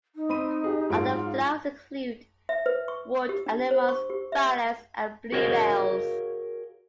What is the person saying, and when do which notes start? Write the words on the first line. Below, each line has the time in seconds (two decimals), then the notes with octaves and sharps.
Other flowers include; wood anemones, violets and bluebells.
0.15 D#4
0.29 C4 B5 D#7
0.64 G4 G#4
0.90 G#2 F#3 F4 D7
2.49 E5
2.66 B4
2.88 C#6
3.29 G4
3.46 D4
3.71 C5
3.89 C#6
4.10 G4
4.32 E5
5.32 F#4 G#4 A#4 C#5 D#5 F5